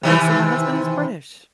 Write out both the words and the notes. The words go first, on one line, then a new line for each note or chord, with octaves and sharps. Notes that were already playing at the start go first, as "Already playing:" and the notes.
Okay, so my husband is British,
C3 D#3 E3